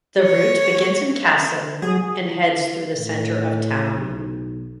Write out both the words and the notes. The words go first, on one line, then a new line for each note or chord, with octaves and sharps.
The route begins in Kasson, and heads through the center of town.
C#5
F#3 G#4
E4
A2
B1